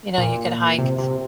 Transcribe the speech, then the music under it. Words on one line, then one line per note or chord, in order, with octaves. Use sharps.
you know, you could hike.
A#2
C3
C3